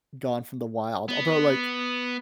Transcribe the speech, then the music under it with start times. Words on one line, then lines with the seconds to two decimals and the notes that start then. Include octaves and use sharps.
gone from the wild, although, like,
1.08 B3